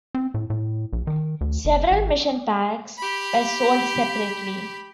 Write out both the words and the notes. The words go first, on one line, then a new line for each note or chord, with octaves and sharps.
Several mission packs were sold separately.
C4
A2
A2
A#1
D#3
D2
F#1
G#1
G4 B5